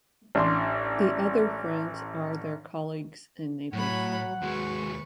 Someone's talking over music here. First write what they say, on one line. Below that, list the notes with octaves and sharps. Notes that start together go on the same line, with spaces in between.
The other friends are their colleagues and neighbours.
A1 D4 C6
A2 F#3 C#5 F#5 B5
D#2 G#3 F#4 B4 C#6